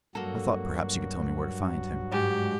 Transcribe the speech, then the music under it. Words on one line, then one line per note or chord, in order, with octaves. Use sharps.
I thought, perhaps, you could tell me where to find him.
G2 F#3 A#3 F#4 A4
G#2 G4